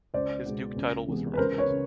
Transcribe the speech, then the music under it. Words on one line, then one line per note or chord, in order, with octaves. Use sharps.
His duke title was removed.
C#2 C5 D5
B2 G#3 B3
C#2
C3 E3 G#3 B3
B4
C#2 A#4 C5
B4 C#5
C#3